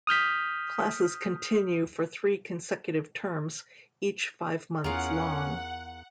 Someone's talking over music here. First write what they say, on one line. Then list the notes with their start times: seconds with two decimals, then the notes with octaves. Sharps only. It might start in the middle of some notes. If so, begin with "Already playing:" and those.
Classes continue for three consecutive terms, each five months long.
0.07 D#6 F6 G6 B6
4.84 E2 C#4 F4 G#4 A#4 F#5